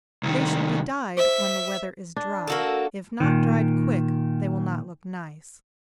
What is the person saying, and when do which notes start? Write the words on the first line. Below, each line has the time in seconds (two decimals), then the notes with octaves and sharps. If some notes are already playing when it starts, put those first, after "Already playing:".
They should be dyed when the weather is dry--if not dried quick, they will not look nice.
0.23 C2 D#3
1.17 C5 E5 B6
2.16 D4
2.47 A#3 F#4 A4
3.20 A#2 D#3